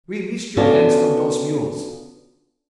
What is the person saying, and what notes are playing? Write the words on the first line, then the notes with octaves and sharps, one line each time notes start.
Release your hands from dose mules.
B3 C#4 D4 F4 F#4 A4